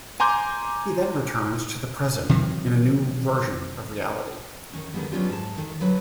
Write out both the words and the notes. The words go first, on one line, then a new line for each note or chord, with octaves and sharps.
He then returns to the present in a new version of reality.
G#5 A#5 C6 D6 G6
C3 D#3 E3 F#3
D#3 C#4
D3 D#3 G3 G#3 B3
F#3 B3 C#4 D4 F4 G4
G#2 G#4 A5
D#3 A4
D3 F#3 G3 B4